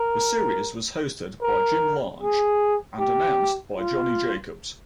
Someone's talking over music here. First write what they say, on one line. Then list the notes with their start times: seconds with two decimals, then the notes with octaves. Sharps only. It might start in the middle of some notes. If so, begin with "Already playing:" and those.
The series was hosted by Jim Lange and announced by Johnny Jacobs.
Already playing: A#4
1.42 A#4
2.22 G#4
2.99 G4
3.79 F4